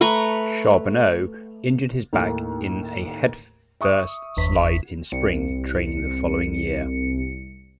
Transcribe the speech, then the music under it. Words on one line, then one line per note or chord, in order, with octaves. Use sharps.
Charboneau injured his back in a headfirst slide in spring training the following year.
A3 B4 A#5 C#6
D#2 A2 A#3
E5 C#6 D#6
G1 E2 B6
C2 C#7